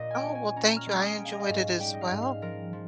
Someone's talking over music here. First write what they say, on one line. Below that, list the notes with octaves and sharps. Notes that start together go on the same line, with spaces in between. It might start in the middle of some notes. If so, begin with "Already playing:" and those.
Oh, well, thank you. I enjoyed it as well,
Already playing: A#2 D#5
G5 G#5
C#4
G#5
C#4 A#5
F6
G#3
D#6
C#4 G5
F5
D#5
F5
G#2
G3 G5
D#5
F5
G#2
F5
F3 A#4
F3